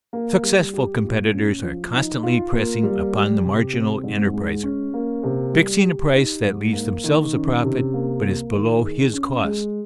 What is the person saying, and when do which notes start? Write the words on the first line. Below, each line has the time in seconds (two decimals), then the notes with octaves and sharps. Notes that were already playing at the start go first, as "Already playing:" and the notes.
Successful competitors are constantly pressing upon the marginal enterpriser, fixing a price that leaves themselves a profit, but is below his cost.
0.13 A#3
0.43 G3
0.73 G4
1.04 A#2
1.33 C#4
1.63 F3
1.93 D#4
2.23 F4
2.53 A#3
2.83 G3
3.14 G4
3.44 C3
3.73 C4
4.03 G#2
4.33 G#3
4.63 C#4
4.94 A#3
5.23 C3
5.53 G3
5.84 G4
6.13 D#4
6.44 G#2
6.73 A#3
7.04 D#3
7.33 C#4
7.64 C3
7.94 A#3
8.24 A#3
8.54 D#3
8.84 G#4
9.13 C#4
9.44 G#3